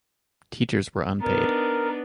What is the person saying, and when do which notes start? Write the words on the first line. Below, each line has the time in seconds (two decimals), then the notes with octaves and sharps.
Teachers were unpaid.
1.22 B3 D4 D#4 A#4